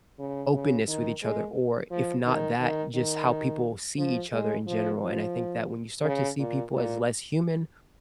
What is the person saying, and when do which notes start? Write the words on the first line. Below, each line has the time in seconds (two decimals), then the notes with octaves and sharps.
openness with each other or if not that, just how people see each other in general, and I think that when you start to see people as less human
0.19 C#3
0.53 C#3
0.88 D#3
1.23 G#3
1.91 F3
2.25 D#3
2.60 D#3
2.95 D#3
3.98 F3
4.32 G#3
4.67 F3
5.02 F3
6.04 C#3
6.39 A#2
6.73 A#2